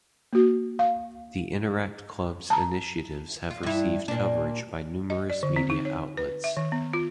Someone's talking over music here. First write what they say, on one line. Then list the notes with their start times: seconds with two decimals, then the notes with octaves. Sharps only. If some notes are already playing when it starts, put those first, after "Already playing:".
The Interact Club's initiatives have received coverage by numerous media outlets.
0.33 A#3 F#4
0.79 F5
2.50 A5 A#5
3.50 F4
3.63 G2 E4
4.08 A#2 D4
5.10 D#5
5.30 D5
5.43 D3
5.56 C4
5.70 D#4
5.85 C#5
6.17 B4
6.44 E5
6.57 D#3
6.72 B3
6.93 F4